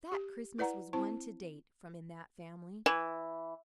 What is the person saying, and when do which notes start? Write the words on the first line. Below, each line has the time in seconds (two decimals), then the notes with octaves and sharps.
That Christmas was one to date from in that family.
0.12 G4
0.58 E4 B4 D5 F#5 A#5
0.93 C4 E4 C5 A5
2.86 E3